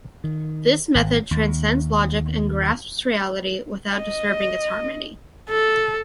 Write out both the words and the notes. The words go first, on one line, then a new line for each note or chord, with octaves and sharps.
This method transcends logic and grasps reality without disturbing its harmony.
D#3
G#1
D#2
D#5
A4